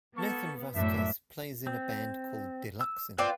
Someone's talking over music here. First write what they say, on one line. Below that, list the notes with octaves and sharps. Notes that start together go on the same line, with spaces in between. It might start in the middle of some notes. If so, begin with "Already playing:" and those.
Nathan Vasquez plays in a band called Deluxin.
A#3 B3 A4 C#6
F#2 A2 D4 E5
C4
E6
C4 F4 B4 D5 F5 G5